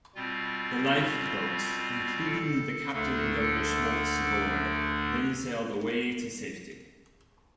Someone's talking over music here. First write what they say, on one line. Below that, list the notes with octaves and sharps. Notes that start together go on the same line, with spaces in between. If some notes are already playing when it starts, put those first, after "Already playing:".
The lifeboats, including the captain and Governor Schmaltz aboard, then sailed away to safety.
B2 G3 C4 F4
F4
A4
D2 D3 A3 D4 A4